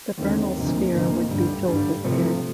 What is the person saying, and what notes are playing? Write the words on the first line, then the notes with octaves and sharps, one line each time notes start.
The Bernal sphere would be filled with air.
D#2 D3 A3 C4 D#4
D2 C3 F3 A#3 D#4
D2 C3 F3 A#3 D#4
G2 D3 G3
G2 D3 G3
C3 F3 A3